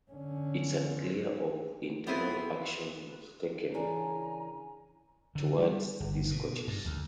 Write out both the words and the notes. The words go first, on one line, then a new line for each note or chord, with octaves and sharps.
It is unclear if internal action was taken towards these coaches.
D3 C#4
B3 C4 E4 F4 G#4
C#3 E3 D4 G#4 A#4 G#5 A#5
D3
G3
G1
B2
G2
D2